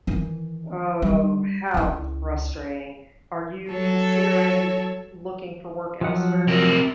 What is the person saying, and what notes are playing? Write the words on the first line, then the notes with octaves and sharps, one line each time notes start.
Oh, how frustrating. Are you considering looking for work elsewhere now?
D#3 E3
G3
C#2 E4
F#3 A4 C#5
F3 F#3 F#5
C3 A#4